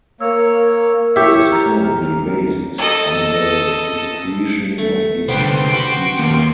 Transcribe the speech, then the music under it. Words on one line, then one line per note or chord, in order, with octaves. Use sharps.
It is currently based on the discretion of each teacher.
A#3 A#4 C#5 E6
E4 G4 C#5 E5 C#6 E6
A#5 F6
A4 D#5
A3
C2 D3 B3 G4 B4 C5 G5 C6
F#4 G4 B4
D#2 A#3